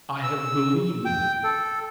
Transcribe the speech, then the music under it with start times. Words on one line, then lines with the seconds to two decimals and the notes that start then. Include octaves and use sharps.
I have believed in it.
0.23 E6
1.05 G5
1.44 A4